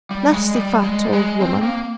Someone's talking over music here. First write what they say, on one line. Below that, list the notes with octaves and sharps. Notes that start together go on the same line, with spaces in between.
Nasty fat old woman!
G3
G#3
G3
G#3
G3
G#3
C4
A#3